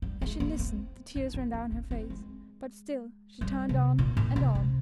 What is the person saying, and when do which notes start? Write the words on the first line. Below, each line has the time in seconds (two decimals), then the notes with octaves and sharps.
As she listened, the tears ran down her face, but still she turned on and on.
0.02 G3
0.22 G#3
0.40 A#3
0.59 C4
1.15 D4
1.34 C4
1.54 A#3
1.72 D4
1.91 C4
2.10 G#3
3.41 G3
3.69 C3
3.99 A#2
4.17 A#2
4.36 C3
4.55 C3